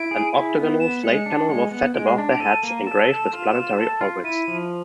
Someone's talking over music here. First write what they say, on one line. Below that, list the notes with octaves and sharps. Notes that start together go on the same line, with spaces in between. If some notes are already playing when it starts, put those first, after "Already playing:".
An octagonal slate panel was set above their heads, engraved with planetary orbits.
Already playing: E4 D7
G#4
E4
B3
B3 E7
G#3 C#7
D4
G#3 C#7
B3 C#7
G#3 D7
C7
D4
D7
A4 D#7
A#3
A4 E7
A4 E7
F4
F4
A4
F4
E4 D#7
F3